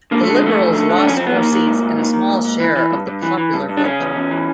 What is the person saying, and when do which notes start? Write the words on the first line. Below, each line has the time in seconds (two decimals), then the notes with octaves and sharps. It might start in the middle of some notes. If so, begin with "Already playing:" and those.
The Liberals lost four seats and a small share of the popular vote.
0.11 D3 A#3
0.23 D3 A3
0.35 G#3
0.42 F2 A3
0.58 F2
0.74 D3
0.89 D3
0.98 D4
1.04 F2 C#4
1.17 F2 C4
1.27 B3
1.35 D#3 A#3
1.52 D#3
1.67 G#2
1.83 G#2
1.98 D#3
2.13 D#3
2.29 G#2
2.45 G#2
2.60 E3
2.76 E3
2.92 G2
3.07 G2
3.22 E3
3.38 E3
3.54 G2
3.69 G2
3.77 D4
3.84 C#3 C#4
4.00 E2
4.15 E2
4.31 E3